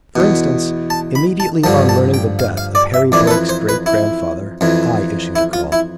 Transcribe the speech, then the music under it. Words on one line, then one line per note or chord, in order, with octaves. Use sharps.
For instance, immediately on learning the death of Harry Blake's great-grandfather, I issued a call.
E2 B2
A5
B5
A5
G2 D3 F3 A5
A5
G5
F5
F5
D5
E5
F2 E3 D5
A4
B4
C5
B4
E4
F2 E3
E4
F4
E4